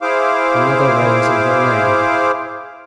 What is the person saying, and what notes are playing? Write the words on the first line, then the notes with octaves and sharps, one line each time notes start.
Another reigns in her name.
E4 G#4 C5 F5 D6